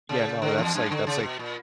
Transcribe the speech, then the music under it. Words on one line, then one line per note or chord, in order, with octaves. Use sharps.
Yeah, no, that's, like that's, like,
C#3
D3
E2
F#2
D3
C#3
B2
A#2